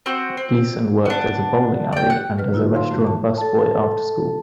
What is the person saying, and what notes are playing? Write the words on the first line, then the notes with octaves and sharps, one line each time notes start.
Gleason worked at a bowling alley and as a restaurant busboy after school.
C4 F#4 C5
C4
B3 D4
D5 G5
F#5
F#3 B4 F6
D3 A#3 D#4 F4 F#4 E6
F5 C6
G2 E3 A3 F#4
E3 A5
A4 A5